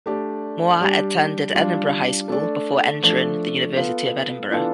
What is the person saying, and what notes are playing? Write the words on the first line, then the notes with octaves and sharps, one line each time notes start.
Moir attended Edinburgh High School before entering the University of Edinburgh.
A3 D4 G4 D5
G3 D4 G4
G3 D4 F4
A3 D4 A4 D5
F3 A3 D4 A4
B3 F4 A4
E3 B3 D4 F4 A4